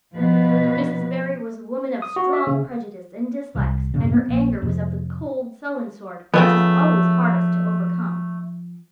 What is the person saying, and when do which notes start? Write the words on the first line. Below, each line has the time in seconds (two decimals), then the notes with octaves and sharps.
Mrs. Barry was a woman of strong prejudices and dislikes, and her anger was of the cold, sullen sort which is always hardest to overcome.
0.15 B2 F3 B4
2.02 D#6
2.16 F#4
2.33 E5
2.47 C#3
3.55 C2 C3
3.94 E1 G2 C#3
4.13 B3 C4
4.28 A#1
4.62 F2 A2 C3
6.34 C#3 F3 A3 B3 G5